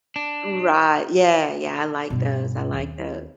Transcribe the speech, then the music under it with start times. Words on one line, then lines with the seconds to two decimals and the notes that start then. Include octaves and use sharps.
Right. Yeah, yeah, I like those, I like tho
0.16 D4
2.10 G2 B2
2.74 D#2 C4